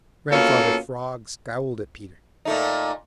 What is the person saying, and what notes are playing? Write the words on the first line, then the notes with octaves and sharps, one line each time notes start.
Grandfather Frog scowled at Peter.
B2 A#3 C#4 F4 A4
A#2 A3 D#4